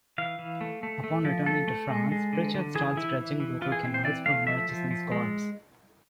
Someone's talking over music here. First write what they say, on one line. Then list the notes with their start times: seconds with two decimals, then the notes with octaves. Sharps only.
Upon returning to France, Pritchard starts dredging local canals for Murchison's corpse.
0.18 E3 F5
0.39 E3
0.61 A3
0.83 A3
1.04 A3
1.25 F3
1.46 A3 A4
1.68 A3
1.89 G#3
2.12 G#3
2.33 D3
2.54 D3
2.75 E3 G#4
2.97 E3 E4
3.18 E3
3.40 E3
3.62 E3 F4
3.72 G#4
3.83 C4
3.94 C5
4.04 E3 D5
4.26 A3 F5
4.47 F3 E5
4.69 F3
4.91 F3
5.12 G#3